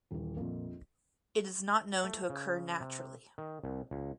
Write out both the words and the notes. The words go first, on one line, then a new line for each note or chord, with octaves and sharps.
It is not known to occur naturally.
D#1 E3
A#1 F2 A#2 A#3
A3
C#3
C3
D#3
C2
C#2